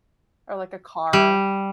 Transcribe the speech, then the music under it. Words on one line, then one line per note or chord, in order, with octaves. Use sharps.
or, like, a car.
G3